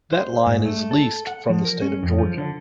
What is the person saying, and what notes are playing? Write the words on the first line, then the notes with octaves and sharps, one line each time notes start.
That line is leased from the state of Georgia.
C5
G#2
A3
A4
F#5
F3
A#4
C#4
F2
F3
D3